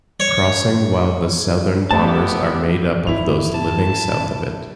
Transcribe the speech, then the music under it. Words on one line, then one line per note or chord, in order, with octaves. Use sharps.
Crossing while the Southern Bombers are made up of those living South of it.
C#5
A3 B3 G4 E5 A5
G#2 E4 F7
A5